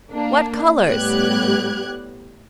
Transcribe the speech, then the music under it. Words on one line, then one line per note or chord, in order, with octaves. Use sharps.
What colours!
A#3 D4
A2 G3 B3 G4 F#6 G#6